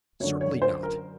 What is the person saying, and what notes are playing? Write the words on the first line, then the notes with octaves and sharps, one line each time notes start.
'Certainly not.
F#2 D3 F#3 C#5
C#5
C5
A#4